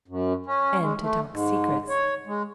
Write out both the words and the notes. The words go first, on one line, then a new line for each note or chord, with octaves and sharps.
"And to talk secrets."
F#2
C#4
G#3
A3
G#2
C#5
G#3